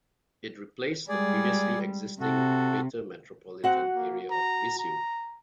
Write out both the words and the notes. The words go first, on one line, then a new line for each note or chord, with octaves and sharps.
It replaced the previously existing "Greater Metropolitan Area of Viseu".
G3 G#3 G#4 D5
C3 F#4 A4
C4 F#4 F#5
A#3
A#5
A#5